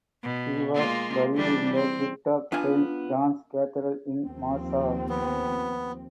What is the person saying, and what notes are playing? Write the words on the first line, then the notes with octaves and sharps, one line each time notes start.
He was buried in the crypt of Saint John's cathedral in Warsaw.
B2
G#3 A#3 F4
E3 G3 D4
C4
B3 D4 F4 G#5
D#2 F3 C4
B3